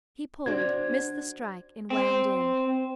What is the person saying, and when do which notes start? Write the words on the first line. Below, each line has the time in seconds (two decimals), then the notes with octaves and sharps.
He pulled, missed the strike, and wound in.
0.46 D4 F#4 C5 G#6
1.90 C4